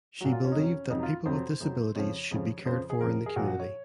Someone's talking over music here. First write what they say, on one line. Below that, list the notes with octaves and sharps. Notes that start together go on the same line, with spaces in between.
She believed that people with disabilities should be cared for in the community.
A#2 F#3 F#4
F4
C#4
D#4
F2 C3 F#3 C#4
F2 C3 F#3 D#4
F4
F2 C3 F#3 C5
F2 C3 F#3
F2 C#3 F3 C#5
F2 C#3 F3
F2 C#3 F3 C5
G#4
F2 C#3 F3 A#4
G#4
A#2 F3 F#4
F#4
C#5